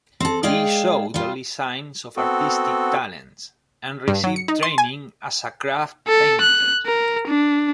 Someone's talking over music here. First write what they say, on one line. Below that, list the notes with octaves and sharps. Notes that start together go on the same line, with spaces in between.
He showed early signs of artistic talent, and received training as a craft painter.
C4 A4
G#3 G#4 D5 F5 G5
G3 F4
B3 C4 F#4 A4
G2
F#3
C#7
D#4
C6
G#5
A4
F#6
A#4
D4